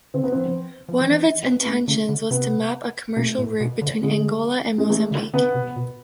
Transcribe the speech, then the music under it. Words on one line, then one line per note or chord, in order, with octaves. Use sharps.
One of its intentions was to map a commercial route between Angola and Mozambique.
D3 C4
B3
F3 C4
F3
E3 C4
B3
B3
A3
D3 A3
D3
C3 B3
B2 A3
A2
B2
D3
D3 G#3
G#3
E3 A3
D3
D3 B3
C3
B2